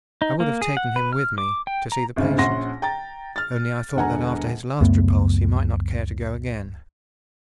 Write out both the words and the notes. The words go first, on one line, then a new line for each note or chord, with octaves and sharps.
I would have taken him with me to see the patient, only I thought that after his last repulse he might not care to go again.
D#4
A#3
G#4
F#5
B4
F6
D6
G5
A#5
G#1 D2 C#3
A#1 C#4 F#5 C6 A#6
G5 A#5 A6
F6 A6
E1 D3 F#5 G#5 A#5
C#2 F#2 A3 B3